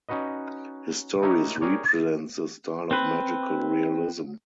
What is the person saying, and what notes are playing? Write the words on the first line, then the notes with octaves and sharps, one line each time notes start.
His stories represents the style of magical realism.
C#4 D#4 F#4 B4 D#5
D#4 E4 G4 A#4 C#5
G4 G#4 A#4 C#5 D5
C4 B4